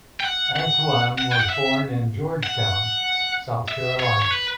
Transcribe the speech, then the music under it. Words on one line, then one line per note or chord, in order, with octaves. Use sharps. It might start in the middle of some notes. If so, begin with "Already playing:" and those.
Anthuan was born in Georgetown, South Carolina.
G5
F#5
F#5
F#5
G5
F#5
E5
F#5
E5
C#5
C#5
B4